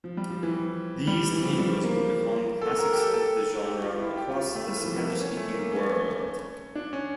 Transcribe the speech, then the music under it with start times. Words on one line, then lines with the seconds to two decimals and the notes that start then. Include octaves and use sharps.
These tangos would become classics of the genre across the Spanish-speaking world.
0.04 F3
0.17 G3
0.30 F3
0.43 E3
1.07 G3
1.32 E3
1.42 F3
1.53 F3
1.59 G3
1.84 A#3
2.61 A4
2.79 A#4
2.93 G4
2.97 A4
3.14 A4
3.65 G4
3.83 F4
4.00 E4
4.17 G4
4.29 F4
4.42 F4
4.55 A3
4.68 G3
4.80 E3
4.86 F3
4.96 A#3
5.03 A3
5.20 C#4
5.37 A3
5.54 A#3
5.72 C#4
6.75 D4
6.93 C#4